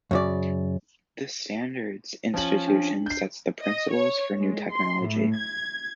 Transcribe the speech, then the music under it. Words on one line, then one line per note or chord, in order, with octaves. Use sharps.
This standards institution sets the principles for new technology.
F#2 C#3 D5
F3 C#4 F#7
D4
G6 C7
D#5
C#5
G#3
C6
A2
G#6